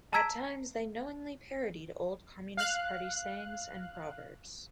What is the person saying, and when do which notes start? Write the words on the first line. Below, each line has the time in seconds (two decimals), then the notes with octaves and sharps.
At times they knowingly parodied old Communist Party sayings and proverbs.
0.13 A5 A#5 E6 G#6 B6 D7
2.57 F5 F#6